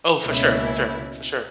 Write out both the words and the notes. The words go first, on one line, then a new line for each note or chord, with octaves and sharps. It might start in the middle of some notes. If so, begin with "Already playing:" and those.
Oh, for sure, for sure, for sure.
C#2 B2 A#3 C#4 E4